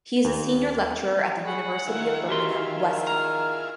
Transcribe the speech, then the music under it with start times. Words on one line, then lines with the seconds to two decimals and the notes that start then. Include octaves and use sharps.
He is a Senior Lecturer at the University of Birmingham, Westhill.
0.24 D#2
1.45 G#4 F#5 B5 C#6
1.87 D#3 E4 F4 G#4
2.29 F#4 G4 F5 C6
3.07 A#5 F6